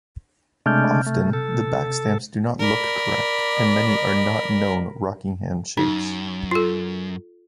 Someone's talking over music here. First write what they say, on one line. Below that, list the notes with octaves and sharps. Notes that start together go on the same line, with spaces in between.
Often the backstamps do not look correct, and many are not known Rockingham shapes.
C3 G#3 A3 D4 F6 G6
A3
A4
A#4 D5 B5
F#2 D#4
F4 A4